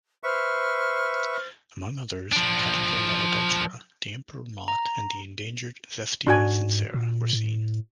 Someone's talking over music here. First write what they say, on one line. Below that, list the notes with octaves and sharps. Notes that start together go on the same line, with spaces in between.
Among others, "Catocala adultera", the emperor moth, and the endangered "Xestia sincera" were seen.
B4 C5 E5 C#6 F6
F3 D4
A#5
G#2 D4 F#4 G#5
A#2
A2